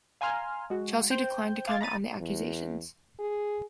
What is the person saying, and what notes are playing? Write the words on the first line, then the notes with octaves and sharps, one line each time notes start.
Chelsea declined to comment on the accusations.
F5 G#5 A#5 C6 F6
G#3 F#4
C5 G5 G6
F5 D6 G#6 A6
A#5 B5 A6 D#7
E2
G#4